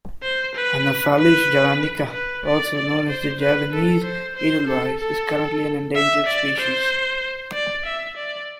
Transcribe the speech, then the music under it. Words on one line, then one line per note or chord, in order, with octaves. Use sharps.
"Anaphalis javanica", also known as the Javanese Edelweiss, is currently an endangered species.
C5
B4
B4
B4
D5
D5
C5
B4
A4
C5
C5
A4
A4
E5
D5
C5
D5
E5
D5